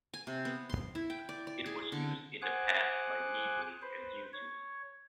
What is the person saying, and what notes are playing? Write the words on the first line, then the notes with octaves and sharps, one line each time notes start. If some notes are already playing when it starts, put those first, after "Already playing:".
It was used in the past by Meebo and YouTube.
G#5
C3
B3
C6
E4
G5
D5
D5
G#4
D3
G#4 C5 F#5 G#5 D6 F#6
B4 C5
C#5